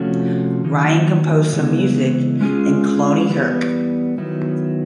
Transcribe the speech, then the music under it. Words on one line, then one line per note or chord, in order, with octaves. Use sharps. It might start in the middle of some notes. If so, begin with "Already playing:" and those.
Ryan composed some music in Cloneyhurke.
Already playing: C3 F3 A3 C#4 F#4
D#3 F#3 A#3 D#4
C#3 E3 G#3 B3 E4
G#3 C#4 F4 G#4
E3 G3 B3
D#3 F#3 B3 E4